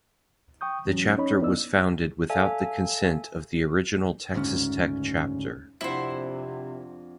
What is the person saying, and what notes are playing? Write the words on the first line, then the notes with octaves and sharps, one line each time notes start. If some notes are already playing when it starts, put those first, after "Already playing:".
The chapter was founded without the consent of the original Texas Tech Chapter.
G5 C#6 D#6 G6
G#2 E3 F#3 C#4
C#4 D#4 C#5 D#5 B5
F#2 B3 D#4 E4 D5 E6
A4 D5 E5 F5 G#5 A5
F#1 D2 G#2 C#4
F2 C3 D4 E4 C5 F#5